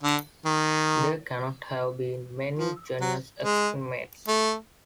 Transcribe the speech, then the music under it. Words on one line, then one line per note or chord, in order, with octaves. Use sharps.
There cannot have been many genuine ex-inmates.
D3
D#3
F3
F#3
G#3
A3